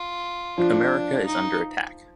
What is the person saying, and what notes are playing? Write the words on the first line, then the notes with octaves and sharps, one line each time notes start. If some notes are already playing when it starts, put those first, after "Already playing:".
America is under attack.
Already playing: F4
F3 D4
D#4